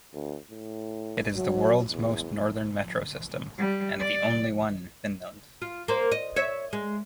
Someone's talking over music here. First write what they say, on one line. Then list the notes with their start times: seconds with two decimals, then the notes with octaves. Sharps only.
It is the world's most northern metro system, and the only one in Finland.
0.14 D2
0.51 A2
1.36 F#3
1.90 E2
3.58 G3
3.99 D5
5.62 F4
5.88 A#3 C5
6.12 D#5
6.36 C#5 E5
6.73 G#3